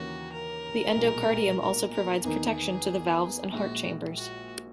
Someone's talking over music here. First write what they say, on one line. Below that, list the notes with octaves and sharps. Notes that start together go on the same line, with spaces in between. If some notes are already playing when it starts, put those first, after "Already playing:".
The endocardium also provides protection to the valves and heart chambers.
Already playing: D#2 C#3 E3 A#3 C#4 F#4
A#4
B1 A#2 G#3
A#4
A#4
E2 D#3 A#3 D#4 G#4
A#1 A#2 G#3 F#4
F#4